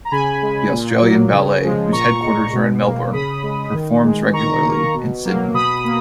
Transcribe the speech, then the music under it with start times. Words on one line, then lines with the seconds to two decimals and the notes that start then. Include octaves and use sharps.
The Australian Ballet, whose headquarters are in Melbourne, performs regularly in Sydney.
0.05 A#5
0.11 C#3 G#5 B5
0.42 G#3
0.72 A#2
1.02 F#3 A#3
1.32 C#3
1.62 F3 G#3
1.92 A#2 A#5 C#6
2.22 G#3
2.53 B2
2.83 A#3
3.13 C#3 B5 D#6
3.43 G#3
3.73 D#3
4.04 G#3
4.33 D#3 A#5 C#6
4.64 A#3
4.94 B2
5.24 F#3 A#3
5.54 B2 B5 D#6
5.85 A#3